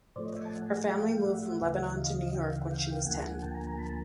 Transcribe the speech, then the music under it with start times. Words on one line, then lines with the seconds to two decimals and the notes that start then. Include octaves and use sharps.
Her family moved from Lebanon to New York when she was ten.
0.16 A2 F3 A3 C5 D5
0.25 C#5 D#5
0.34 D5 E5
0.45 A5
0.53 F#5 G#5
0.89 F5 G5
1.18 F5
1.25 E5 F#5
1.61 D2 C#3 E3
1.97 D#5 F5
2.34 G5
2.42 F#5
2.50 F5
2.59 E5 F#5
2.70 F5 G5
3.06 D2 D3 F3 A#3 F#5 G#5
3.42 G5 A5
3.54 G#5 A#5
3.66 G#5 A#5
3.78 A5 B5